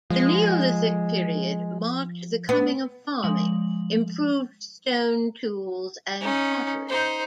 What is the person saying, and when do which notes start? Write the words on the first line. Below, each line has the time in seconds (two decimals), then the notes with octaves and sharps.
The Neolithic Period marked the coming of farming, improved stone tools and pottery.
0.10 F3 G#3
2.49 B3
3.23 F3 G#3 F#7
6.21 C#4 D#4
6.89 D#4 C5